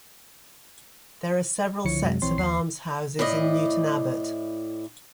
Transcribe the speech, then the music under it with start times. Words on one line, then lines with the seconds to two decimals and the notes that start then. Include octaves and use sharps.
There are several sets of almshouses in Newton Abbot.
1.84 C#2 D3 F3 E4 C#5 C#7
2.03 F#2 C3 F#3 G#3
2.22 A#1 E3 C4 E4 C#5 C6
2.38 D#2 C7
3.19 A2 E4 D5 D#5